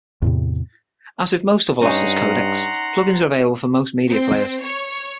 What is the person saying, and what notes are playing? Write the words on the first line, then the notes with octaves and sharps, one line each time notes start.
As with most other lossless codecs, plugins are available for most media players.
E2 A2 C3
G2 C#4 D#4 F#5 A#5 C6
C4
C#5